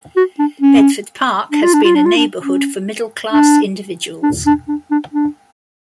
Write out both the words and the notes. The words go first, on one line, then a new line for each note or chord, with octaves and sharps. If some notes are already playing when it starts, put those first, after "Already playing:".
Bedford Park has been a neighbourhood for middle class individuals.
F#4
D4
C#4
D4
F4
D4
F4
D4
F4
D4
C#4
D4
D4
D4
D4
D4
D4